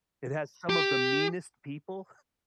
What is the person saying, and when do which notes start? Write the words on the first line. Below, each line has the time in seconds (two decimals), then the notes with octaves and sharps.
It has some of the meanest people,
0.69 G4